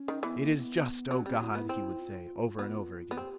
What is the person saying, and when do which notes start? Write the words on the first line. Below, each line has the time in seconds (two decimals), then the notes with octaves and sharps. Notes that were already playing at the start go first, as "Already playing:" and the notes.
"It is just, O God!" he would say, over and over again.
Already playing: C#4
0.08 D#3
0.23 E3 B3
0.38 A#3
0.52 B3
1.11 F#3
1.19 C#4
1.26 G3 C4
1.40 F#3 E4
1.50 F4
1.55 B3
1.60 E4
1.69 C4
1.99 F4
2.59 B3
3.11 B3
3.16 C4 G4